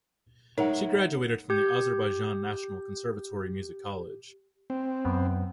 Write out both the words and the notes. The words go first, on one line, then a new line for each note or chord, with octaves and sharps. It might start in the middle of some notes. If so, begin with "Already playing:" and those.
She graduated from Azerbaijan National Conservatory Music College.
G#3 D#4 A#4 C#5 E5 F#5
G4 G6
C4
F#2 B3